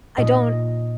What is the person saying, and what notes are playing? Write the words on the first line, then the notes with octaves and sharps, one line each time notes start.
I don't
A#2 D#5